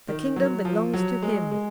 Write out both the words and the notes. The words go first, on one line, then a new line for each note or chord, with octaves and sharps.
"The kingdom belongs to him."
D#3
F#3
F3
F#3
G#3
G#3